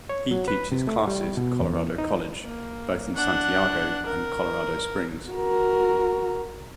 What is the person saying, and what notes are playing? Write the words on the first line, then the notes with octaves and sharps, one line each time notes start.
He teaches classes at Colorado College both in Santiago, and Colorado Springs.
C#5
F#3
B4
C3
A3
G3
B2
E2
D#4
A#3
D4 F#5
A#4
F#4 A#4